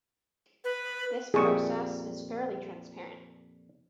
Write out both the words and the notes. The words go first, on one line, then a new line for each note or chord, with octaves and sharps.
This process is fairly transparent.
B4
F2 A#2 G3 G#4 C#6